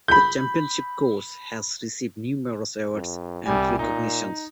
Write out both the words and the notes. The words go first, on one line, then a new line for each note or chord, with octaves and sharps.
The championship course has received numerous awards and recognitions.
B5 G6
F2
C2 G3 G#5
A#2 D#4